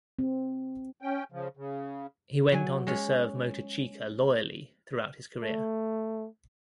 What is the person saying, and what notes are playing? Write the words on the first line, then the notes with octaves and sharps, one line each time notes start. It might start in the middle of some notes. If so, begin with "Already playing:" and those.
He went on to serve Motochika loyally throughout his career.
C4
C#4 G5
C#3 F3
C#3
F#3 G#5
G#3 C#4
A3